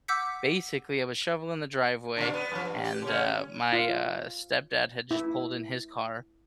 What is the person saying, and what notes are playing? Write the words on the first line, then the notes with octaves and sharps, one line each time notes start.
basically I was shoveling the driveway and, uh, my, uh, stepdad had just pulled in his car,
F#5 D6 E6 G6 B6 C#7
A#2 D3 D4
B3
F#2 F3
G2
G4
C#3 C#4
F4
E4